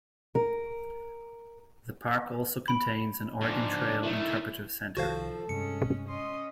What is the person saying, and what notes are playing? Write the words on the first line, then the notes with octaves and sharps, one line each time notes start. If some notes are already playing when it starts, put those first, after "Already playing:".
The park also contains an Oregon Trail interpretative center.
A#4
B5 D7
G#2 F3 D4
D#3 A3 E4
C2 D#3 F3 F#4 A4 C5 F5
G2 C3 G#3 C#4 C#7
C#4 D#5 C6